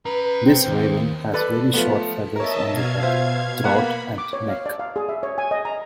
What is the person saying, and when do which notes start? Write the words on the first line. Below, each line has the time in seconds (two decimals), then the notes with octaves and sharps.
This raven has very short feathers on the head, throat and neck.
0.06 C#4 B4 A#5
0.46 C4
0.66 D#2
1.34 A4 B4 D5
1.74 F3 A3 B3
2.36 A#4 C#5 D#5 E5 A5
2.70 B2 F5 G#6
3.02 F4 C5 E5
3.64 A#3 B3 F#5 B5
4.18 D6
4.33 C#5
4.49 F5
4.66 D5
4.79 F5
4.96 G#4
5.09 E5
5.23 C#5
5.38 G#5
5.51 D#5
5.65 A#5